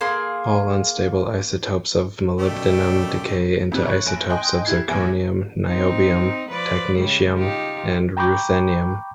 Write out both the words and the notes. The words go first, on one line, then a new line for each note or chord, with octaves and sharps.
All unstable isotopes of molybdenum decay into isotopes of zirconium, niobium, technetium, and ruthenium.
A#3 G#4 C6
F#2 B2 A3 G4 D5
F2 C3 F#6
C#5 F#6
F#1 G#5 D7
D#5 G5 G#5 C6 F#6
G3 E4 G#6 C7
A#1 E2 G#5 D7
C4 D#4
F3 B4 D5
C#3 G3 G#3
D#4 F4 G4
G5 A#5 B5 C#6 D6 G6